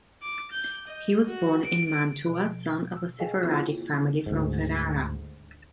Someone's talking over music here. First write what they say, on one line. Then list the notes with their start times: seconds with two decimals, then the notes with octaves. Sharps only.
He was born in Mantua, son of a Sephardic family from Ferrara.
0.23 D6
0.52 G6
0.88 D#5
1.26 F#4
1.65 D7
2.27 B2 F3
2.97 E6
3.19 G#4 A4 D#5 F5 G5 G#5
3.43 E3 A#3 C4 E4 F4 C5
4.26 D2 G#2